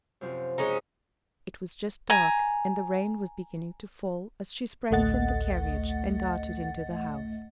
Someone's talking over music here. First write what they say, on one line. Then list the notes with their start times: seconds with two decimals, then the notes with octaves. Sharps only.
It was just dark, and the rain was beginning to fall as she sprang from the carriage and darted into the house.
0.21 F#2 C3 F3
0.58 G#3 C#4 D#4
2.10 G#5 A#5
4.91 A1 D2 A3 D#5 F#5 A6